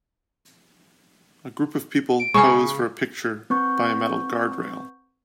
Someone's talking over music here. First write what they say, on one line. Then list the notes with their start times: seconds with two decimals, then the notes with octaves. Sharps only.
A group of people pose for a picture by a metal guard rail.
2.20 D7
2.34 C#3 C#4 C#6
3.50 C4 B4 C#6 G6